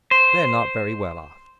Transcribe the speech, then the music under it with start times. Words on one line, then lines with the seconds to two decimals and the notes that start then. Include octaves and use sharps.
They're not very well off.
0.11 C5